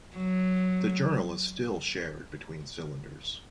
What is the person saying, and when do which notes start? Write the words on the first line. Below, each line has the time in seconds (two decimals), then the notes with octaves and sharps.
The journal is still shared between cylinders.
0.17 F#3